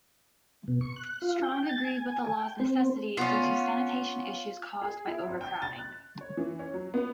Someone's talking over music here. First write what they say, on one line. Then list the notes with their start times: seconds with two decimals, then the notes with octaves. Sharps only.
Strong agreed with the law's necessity due to sanitation issues caused by overcrowding.
0.68 B2
0.81 C#6
0.96 F#6
1.22 F4
1.43 G5
1.69 A6
1.84 G#5
2.37 G5
2.60 C4
3.17 B3 C#4 F4
4.81 G#4
5.07 E4
5.27 G#1
5.41 G5
5.62 A6
5.78 F#6
6.21 C#5
6.37 E3
6.59 C#4
6.74 F#3
6.94 B3